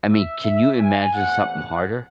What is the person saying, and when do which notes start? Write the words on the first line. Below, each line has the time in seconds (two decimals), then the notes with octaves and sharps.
I mean, can you imagine something harder?
0.09 E5
0.44 E5
0.79 G#5
1.14 E2 C3 E3 A3 F#5
1.49 F#5